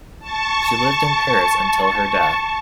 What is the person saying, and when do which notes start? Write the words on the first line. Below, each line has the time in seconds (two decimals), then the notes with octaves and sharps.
She lived in Paris until her death.
0.20 A5 C#6